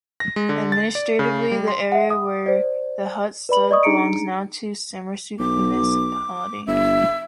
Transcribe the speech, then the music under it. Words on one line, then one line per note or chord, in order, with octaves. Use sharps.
Administratively the area were the hut stood belongs now to the Sermersooq municipality.
A#6
G#3
D3
A6
D5
C#3
G3
C6
E5 F#5
D#6
C5 D5
B4 D5 B5 F#7
D5 D#5 C#6 D#6
D4 D#4 G#4 A#5 C#7 D7
B1 D6
G1 E5